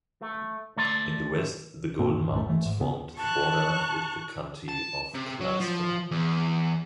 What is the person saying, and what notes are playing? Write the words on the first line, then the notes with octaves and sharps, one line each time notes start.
In the west the Golden Mountains formed the border with the County of Kladsko.
A3
D2 A3 D5 C6
G2 B2 A#3 C4
E2 G2 A#2 E3
B1 F#2 A2 A3
G1 E3 A3
G#2
D#2 C#3 B3
A5 C#6 F#6
A5
C3
F#3
F3
E2